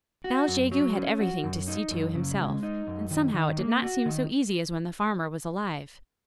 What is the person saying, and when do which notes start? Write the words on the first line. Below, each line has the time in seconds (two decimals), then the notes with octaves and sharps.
Now Jegu had everything to see to himself, and somehow it did not seem so easy as when the farmer was alive.
0.24 F#4
0.48 F#2
0.72 F#3
0.96 C#4
1.20 F#4
1.44 F#2
1.68 D#4
1.91 F#2
2.15 C#3
2.39 G#3
2.63 D#4
2.87 F#2
3.11 D#3
3.34 D#3
3.58 A#3
3.82 F#4
4.05 D#3